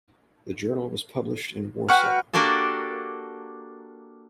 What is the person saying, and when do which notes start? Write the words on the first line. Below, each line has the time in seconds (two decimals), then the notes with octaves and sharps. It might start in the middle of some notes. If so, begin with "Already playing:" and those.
The journal was published in Warsaw.
1.89 F#4 B4 G5 C#6 F6
2.33 A#3 D4 F#4 G4 A4